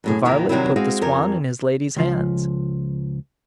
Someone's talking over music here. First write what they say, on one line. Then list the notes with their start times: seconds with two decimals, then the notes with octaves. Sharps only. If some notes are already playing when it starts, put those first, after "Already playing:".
The varlet put the swan in his lady's hands.
0.04 F#2 A2 G#4
0.25 E2 A#2 D#3 A#3
0.49 C3 D#3 F#3 G3 C4 E4
0.76 G#3 C4 F#4 G#4 F5
1.01 F2 G4 A#4 G#5
1.96 C#2 F3